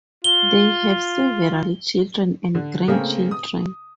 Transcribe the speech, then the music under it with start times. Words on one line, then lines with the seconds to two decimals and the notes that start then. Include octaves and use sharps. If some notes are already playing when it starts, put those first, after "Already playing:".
They have several children and grand children.
0.24 F4 G7
2.55 D3
2.88 C#3 A3 A#3 C4 G#4
3.31 D#6